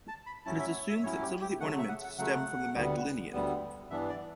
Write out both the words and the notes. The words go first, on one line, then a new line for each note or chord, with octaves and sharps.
It is assumed that some of the ornaments stem from the Magdalenian.
A5
B5
A2 F#3 C#4 E4 A5
E5
C#5
E5
A2 F#3 C#4 E4 C#5
G4
G4
C#3 F#3 A3 F#5
E5
F#5
F#5
C#3 F#3 A3 F#5
D2 D3 G3 B3
D2 D3 G3 B3
G2 E3 B3 D4 E5
D5